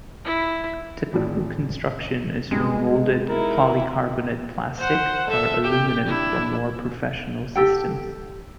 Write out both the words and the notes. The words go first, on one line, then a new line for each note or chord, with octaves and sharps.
Typical construction is from moulded polycarbonate plastic, or aluminum for more professional systems.
E4
G#1 A2 D5
G2 B2 G#3 B3
D#4 E4 A#4
C5 F#5
A4 E5
G4 G5
D4 E4
G4 A4 G5